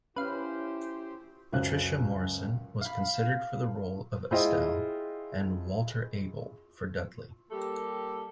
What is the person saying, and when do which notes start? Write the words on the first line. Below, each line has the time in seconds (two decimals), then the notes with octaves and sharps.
Patricia Morison was considered for the role of Estelle, and Walter Abel for Dudley.
0.16 C#4 E4 G4 B4 C5 F5
1.52 C#2 F#2 C5 F5 F#6
2.81 F5 B5
4.31 G#3 E4 F4 C5 D#5 G5
7.51 G3 A#3 G4 A4